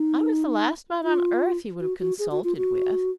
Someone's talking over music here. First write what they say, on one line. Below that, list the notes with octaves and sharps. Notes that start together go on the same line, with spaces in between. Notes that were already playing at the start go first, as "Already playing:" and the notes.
I was the last man on earth he would have consulted with.
Already playing: D#4
F4
F#4
F#4
G#4
F#4
F4
F#4